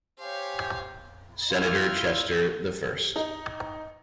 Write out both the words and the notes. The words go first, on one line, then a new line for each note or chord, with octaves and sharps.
Senator Chester the First.
G4 C5 C#5 F5 G#5
E4 F4 E6 F6 G#6
D#4